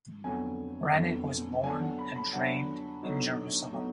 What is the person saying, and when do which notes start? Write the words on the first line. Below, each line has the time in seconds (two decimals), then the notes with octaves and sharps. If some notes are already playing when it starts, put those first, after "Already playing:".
Granit was born and trained in Jerusalem.
0.24 F2 D3 F#3 B3 G#5
0.94 F2 D3 F#3 B3
1.63 D3 F#3 B3 D4 G#5
1.81 F#5
1.99 B5
2.16 B5
2.33 D3 F#3 B3 D4 F#5
3.03 D3 F#3 B3 D#4
3.73 D3 F#3 B3 D#4